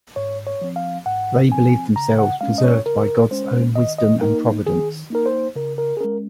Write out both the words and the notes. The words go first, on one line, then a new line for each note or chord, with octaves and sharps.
They believed themselves preserved by God's own wisdom and Providence.
G#2 C#5
C#5
F3 C4
F5
G#2 F#5
F3 C4 G#5
C#3 A#5
F#5
G#3 C#4 F5
D#5
C#5
C#3 A#4
G#3 C#4 C5
D#3 D#5
D#5
A#3 D#4 A#4
D#3 G#4
A#3 D#4 A#4
C5
C#3 A#4
A#4
G#4
G#3 C#4 A#4